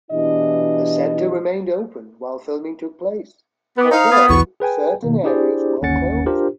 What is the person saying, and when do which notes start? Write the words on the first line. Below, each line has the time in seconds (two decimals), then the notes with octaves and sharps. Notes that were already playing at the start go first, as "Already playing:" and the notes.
The center remained open while filming took place, although certain areas were closed.
0.11 B2 E3 D4 E4 G4 D#5
3.78 B3 D6 F#6
3.91 D#4 C5 F5
4.12 B3 D#6 G#6 A6
4.29 B1 E2 E3 C#6
4.60 G#4 B4 G5 G#5
5.03 B2 D#3 A#3
5.23 D4 E4 G4 G#4 C5 D5
5.82 G1 D#2 C#4 F#5 A6 C#7
6.26 D4 F4 G4 A#4 C5